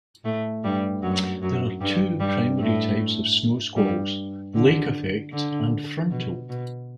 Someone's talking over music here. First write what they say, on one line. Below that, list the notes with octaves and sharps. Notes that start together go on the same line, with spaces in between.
There are two primary types of snowsqualls, lake effect and frontal.
A2 A3
G2 G3
F#2 F#3
F#2 F#3
G2 G3
G2 G3
A2 A3
G2 G3
D3
D3
B2
B2